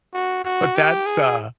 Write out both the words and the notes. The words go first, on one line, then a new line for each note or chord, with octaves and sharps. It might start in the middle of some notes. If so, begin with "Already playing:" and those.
but that's, uh
F#4
F#4
G4
G#4